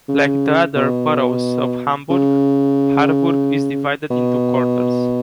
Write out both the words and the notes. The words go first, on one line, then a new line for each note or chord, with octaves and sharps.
Like the other boroughs of Hamburg, Harburg is divided into quarters.
C#3
B2
C#3
B2